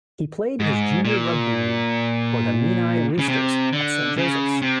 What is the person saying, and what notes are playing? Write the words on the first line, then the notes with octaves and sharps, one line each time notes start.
He played his junior rugby league for the Menai Roosters and Saint Joseph's.
G#2
A#2
C#3
C3
D3
C#3
C3